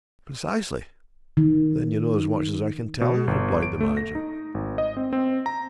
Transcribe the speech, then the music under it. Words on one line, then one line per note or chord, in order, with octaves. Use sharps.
"Precisely!--then you know as much as I can tell you," replied the manager.
D#3
B2
G1
D7
A3
A#6
D#4
G#1
D#5
C4
C4
A#5